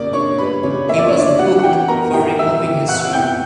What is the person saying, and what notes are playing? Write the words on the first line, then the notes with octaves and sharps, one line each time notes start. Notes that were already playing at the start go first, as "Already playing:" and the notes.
He was booked for removing his shirt.
Already playing: C#3 A#3 D5 D6
D4 C#5 C#6
G3 B4 B5
C#3 C#5
A#3 E5
D5
D4 C#5
D5
G3 F#4 F#5
F#5
E3 G4 G5
B3 A#4 A#5
E4 G4 G5
G3 E5 E6
E3
B3 F#5 F#6
E4 G5 G6